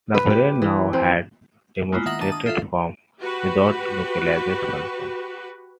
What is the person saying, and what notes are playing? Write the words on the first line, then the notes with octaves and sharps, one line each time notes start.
The brain now had demonstrated form, without localised function.
B4
G4
E3
C4
G#3 A#3 B3 E4 F4
D#3 E5 F#5 D#6 A#6 F#7
D#3 D4 A5 D#7
D#6
F4 A4 E5 F5
F#4 G4 B4